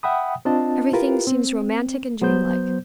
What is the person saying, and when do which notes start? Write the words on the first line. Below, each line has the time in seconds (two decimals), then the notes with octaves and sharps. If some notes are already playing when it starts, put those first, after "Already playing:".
Everything seems romantic and dreamlike.
0.03 E5 F#5 G5 B5 D#6
0.45 C4 D4 F4 D#5 A5
0.93 E4 F4 G4 A#4 B4
1.27 C4
2.22 F#3 B3 C5 G6